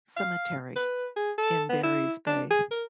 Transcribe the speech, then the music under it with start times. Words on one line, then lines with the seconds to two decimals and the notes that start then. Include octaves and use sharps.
Cemetery, in Barry's Bay.
0.16 F5
0.76 B4
1.16 G#4
1.38 A4
1.69 B3
1.83 E4
2.27 D4
2.50 G#4
2.71 A#4